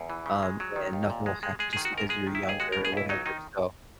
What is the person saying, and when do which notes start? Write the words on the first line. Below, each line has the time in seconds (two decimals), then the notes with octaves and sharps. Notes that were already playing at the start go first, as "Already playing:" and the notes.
um, and nothing will happen just because you're younger or whatever," so,
Already playing: E2
0.10 E3
0.26 C#3
0.43 G#3
0.60 F#3
0.76 D#3
0.93 D#2
1.10 A#2
1.26 G#3
1.43 G#3
1.59 G#3 G#4
1.73 D#3 G#4
1.85 F#4
1.93 G#2 A#4
2.09 G#3 G#4
2.27 D#3
2.35 E4
2.43 D#2
2.49 G#4
2.60 G#3 F#4
2.72 A#4
2.77 B2
2.85 G#4
2.92 C#2 E4
3.09 F#3 D#4
3.26 D#3 D#4